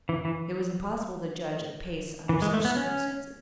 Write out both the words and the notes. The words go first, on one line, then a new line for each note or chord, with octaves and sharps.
It was impossible to judge of pace under such circumstances.
E3
E3
E3
G#3
A3
B3
C#4